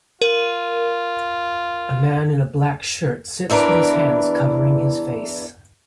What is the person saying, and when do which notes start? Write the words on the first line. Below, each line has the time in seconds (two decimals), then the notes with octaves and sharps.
A man in a black shirt sits with his hands covering his face.
0.22 F4 A#4
3.50 E2 E3 D4 A#4 B4